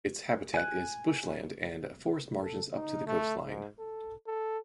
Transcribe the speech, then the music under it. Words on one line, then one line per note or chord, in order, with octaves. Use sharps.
Its habitat is bushland and forest margins up to the coastline.
G#5 F#6
A4
D#4
A3
G#2
A4
A4